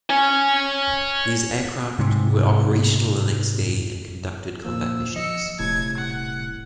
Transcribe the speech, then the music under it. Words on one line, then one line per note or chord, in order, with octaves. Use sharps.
These aircraft were operational the next day and conducted combat missions.
C#5 G#5
G#2 C3
A#2 F3 A#3 E6
F3 D#5 E6 C#7
D#1 A2 C3 G#6
F#5